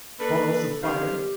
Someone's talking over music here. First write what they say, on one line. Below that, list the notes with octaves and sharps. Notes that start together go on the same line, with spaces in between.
Balls of fire?
A#3 D4 A4 B4
G1 C3 D#3 F3 C#4 G4 C5 F5